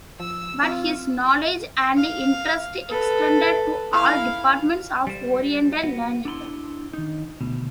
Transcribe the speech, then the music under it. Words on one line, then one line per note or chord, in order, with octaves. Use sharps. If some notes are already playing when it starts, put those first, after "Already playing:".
But his knowledge and interest extended to all departments of Oriental learning.
F3 E6
C4 F4
F5
A4 B4
E4 F5
G3 C5
B3 F#4
D4 E4 B5 C6
D#3 D#4
D2 B2